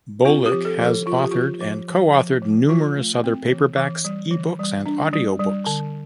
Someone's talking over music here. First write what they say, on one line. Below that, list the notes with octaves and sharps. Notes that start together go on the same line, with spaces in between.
Bolick has authored and co-authored numerous other paperbacks, ebooks and audiobooks.
C4 F4
G4
F3
A4
F3
A4
F3 F4
G4
F3 F4
F3
F3
F3
F3
F3 F4
A3
C4
E3
E3
G3
E3
G3
D4
G3
G3
D3